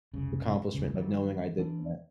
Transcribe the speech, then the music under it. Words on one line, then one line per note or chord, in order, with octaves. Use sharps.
accomplishment of knowing I did that.
F1 C2 C#3
E1 C#2 C#3
D#3 F#3 G3
E3 D4